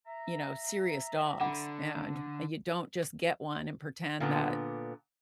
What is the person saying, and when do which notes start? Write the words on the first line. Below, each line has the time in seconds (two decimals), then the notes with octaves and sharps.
you know, serious dogs, and, ah, you don't just get one and pretend that
0.07 E5 A#5
1.41 D3 F#5 B5 D6
4.20 A#2 D3 B3